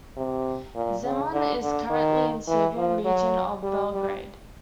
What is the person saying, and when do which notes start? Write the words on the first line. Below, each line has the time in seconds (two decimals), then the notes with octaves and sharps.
Zemun is currently in Serbian region of Belgrade.
0.17 C3
0.75 A#2
1.03 C#3
1.32 D3
1.62 D3
1.90 D#3
2.47 E3
2.77 F3
3.05 F#3
3.62 G3
3.92 G3